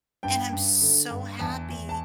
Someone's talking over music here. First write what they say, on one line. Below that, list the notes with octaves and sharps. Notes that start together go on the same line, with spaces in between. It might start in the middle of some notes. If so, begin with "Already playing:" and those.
and I'm so happy
G2 G5
G2
D3
G2
E2 A5
E2
A5